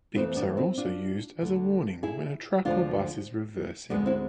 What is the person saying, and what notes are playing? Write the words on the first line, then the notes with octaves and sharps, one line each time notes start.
Beeps are also used as a warning when a truck or bus is reversing.
F2 E3 A3 C4
B3 D4
C4 E4
D4 F4
D2 D3 A3
E4 G#4
D2 D3 F3 G#3 D4 F4
D2 D3 G#3 B3 D4
C4 E4